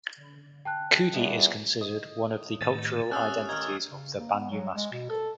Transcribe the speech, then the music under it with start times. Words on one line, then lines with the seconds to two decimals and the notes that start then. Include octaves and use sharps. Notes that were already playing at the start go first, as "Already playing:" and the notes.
Kudi is considered one of the cultural identities of the Banyumas people.
0.65 G5 A5 F#6
1.14 E2 G3 F4 D#5
1.81 D#5
2.61 A2 D#3 A3 A6
3.11 C4 C#4 G4 F5 D#6 E6 F#6
3.49 D#3 G4 F6 G#6
3.91 C#3
4.20 A#3
4.33 B3
4.51 F#3
4.76 G#3
4.92 B2
5.09 A4